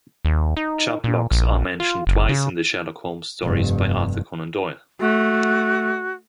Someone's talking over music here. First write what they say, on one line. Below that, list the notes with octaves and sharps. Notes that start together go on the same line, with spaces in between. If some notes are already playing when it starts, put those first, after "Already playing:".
Chubb locks are mentioned twice in the Sherlock Holmes stories by Arthur Conan Doyle.
D#2
D#4
A#2
A#1
F4
F#1
C#3
F1 G2
A3 F#4